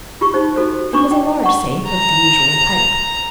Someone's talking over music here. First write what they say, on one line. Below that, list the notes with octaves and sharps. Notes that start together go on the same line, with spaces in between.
It was a large safe of the usual type.
F4 G4 C#6
D#4 C5
F#4 A4 C5
D4 C#6 D6
G5
F#5 C#6
A#5